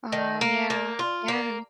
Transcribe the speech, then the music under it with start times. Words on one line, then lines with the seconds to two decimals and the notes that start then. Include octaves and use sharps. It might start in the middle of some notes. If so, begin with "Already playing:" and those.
Oh, yeah, yeah.
0.12 D#3
0.41 A#3
0.70 A#3
0.99 F4
1.28 A#3